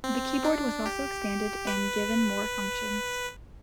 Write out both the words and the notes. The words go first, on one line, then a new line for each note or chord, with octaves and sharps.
The keyboard was also expanded and given more functions.
C4
D4
G4
B4